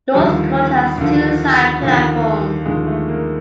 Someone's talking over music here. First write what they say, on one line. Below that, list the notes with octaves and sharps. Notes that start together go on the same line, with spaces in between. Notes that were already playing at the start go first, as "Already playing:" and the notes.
Northcote has two side platforms.
D#2 D3 F3 G3
D#2 D3 F3
D#2 D3 F3
D#2 D3 F3 G#3
A3
A#3